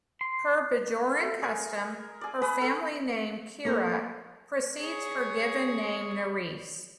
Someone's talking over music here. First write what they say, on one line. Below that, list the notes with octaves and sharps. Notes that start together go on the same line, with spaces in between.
Per Bajoran custom, her family name, Kira, precedes her given name, Nerys.
C6
A3
G#4 A#4 G#5
G#4 D5
G#3 B4 B5 D#6
A4
A3 A#3 A#4
G#4 C#5